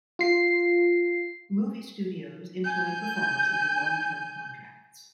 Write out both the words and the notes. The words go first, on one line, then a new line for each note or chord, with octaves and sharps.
Movie studios employed performers under long-term contracts.
F4 C7
G#5 G6